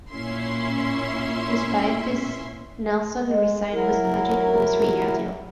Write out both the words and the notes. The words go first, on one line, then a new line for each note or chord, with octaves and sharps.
Despite this, Nelson re-signed with the Magic on a three-year deal.
A#2 C#4 E4 E5 C6
G#3
F#3 E4 A#4